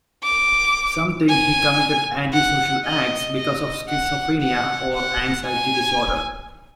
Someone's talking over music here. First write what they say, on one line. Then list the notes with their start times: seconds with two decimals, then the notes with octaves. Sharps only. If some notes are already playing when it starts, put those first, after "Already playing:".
Some think he committed antisocial acts because of schizophrenia or anxiety disorder.
0.24 D6
1.29 G#5
2.33 F#5
2.86 D#5
3.37 D#5
3.89 F#5
4.42 F#5
4.94 F#5
5.46 G#5